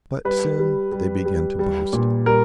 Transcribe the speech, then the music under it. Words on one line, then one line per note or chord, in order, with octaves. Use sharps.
But soon they began to boast.
G3 B4
G3
G3
G3
G3
A#2
G3 A#4